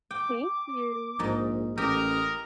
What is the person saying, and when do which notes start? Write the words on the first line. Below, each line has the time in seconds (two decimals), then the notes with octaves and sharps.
Thank you.
0.11 G5 D6
1.19 A#1 G#2 D#4
1.78 A1 G4 A#4 D#6